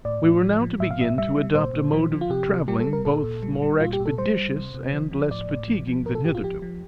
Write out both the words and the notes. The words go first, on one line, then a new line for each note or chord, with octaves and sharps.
We were now to begin to adopt a mode of travelling both more expeditious and less fatiguing than hitherto.
A2 D5
A2
F3
F3
A2 E5
F5
A2 E5
G3 E5
G3
A#2 C5
A#2
F3
F3
F4
C3 G4
C3
G3 G4
A4
G3
A#4
A#2 A4
A#2
G3
G3
A#2 F4
G4
A#2
A4
G3 C5
G3
C3
C3
F3
F3
A2 D5
A2
F3
F3
A2 A#4
A4
A2 G4
F4
F3 G4
F3